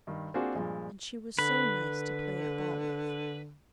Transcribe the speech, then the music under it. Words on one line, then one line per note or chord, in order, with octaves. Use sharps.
And she was so nice to play at ball with!
G2 D#3
A#3 C4 D4 F4 F#4 G#4
G2 A#2 F3 G#3
D3 B4